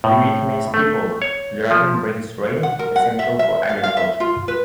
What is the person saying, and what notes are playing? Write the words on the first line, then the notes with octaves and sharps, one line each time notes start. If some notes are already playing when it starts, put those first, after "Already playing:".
To Vietnamese people, the dragon brings rain, essential for agriculture.
A2
A3
C#5
F3
F#5
A#4
F#5
E5
E5
F5
F5
E5
F4
B4